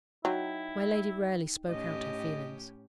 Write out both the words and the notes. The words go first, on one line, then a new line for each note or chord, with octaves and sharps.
My lady rarely spoke out her feelings.
F#3 D#4 E4 G5
A2 C#4 G4 D#5